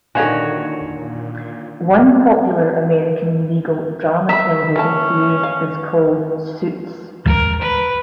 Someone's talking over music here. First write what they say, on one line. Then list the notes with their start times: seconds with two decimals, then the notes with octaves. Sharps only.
One popular American legal drama television series is called Suits.
0.15 A#2 D3 D#3 F#4 A4 C#5 F5 G#5
4.29 E5 A#5 B5
4.76 E3 A#3 C#4 A5
5.43 F5
7.27 A#4
7.61 B4